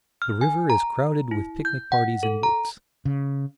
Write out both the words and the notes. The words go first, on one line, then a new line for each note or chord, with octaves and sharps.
The river is crowded with picnic parties in boats.
F6
G#5
A#5
E4
G6
F#5
A4
A#5
C#3